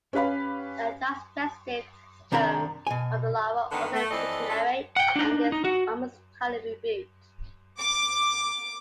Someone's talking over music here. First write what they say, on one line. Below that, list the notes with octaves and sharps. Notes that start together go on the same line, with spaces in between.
The digestive system of the larva also degenerates, and is almost entirely rebuilt.
C#4 G4 B4 F5 B5
C2 C3 D#3 D4 A#4 B5
B2 G#5
D3 D#3 A3 B3
A3
F2 E3 C4 A4 D5 D#5
G#3 C#4 D4 A4
F#5 G5
D4 D#4
D#4
F#4
D6